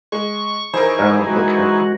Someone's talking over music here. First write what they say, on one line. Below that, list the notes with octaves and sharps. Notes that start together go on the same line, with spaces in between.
Oh, okay.
G#3 C#6
E3 D#4 G#4 A#4 C5
G#3 F#4